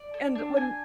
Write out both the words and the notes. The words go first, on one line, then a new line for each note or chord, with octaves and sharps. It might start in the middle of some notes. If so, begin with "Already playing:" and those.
And when
Already playing: D5
A4
D4
G#5